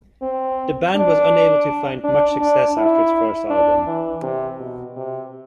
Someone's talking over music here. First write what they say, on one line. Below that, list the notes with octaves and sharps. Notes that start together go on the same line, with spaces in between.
The band was unable to find much success after its first album.
C4
D4
D4
D4
E4
D4
E3
C3
B2
C3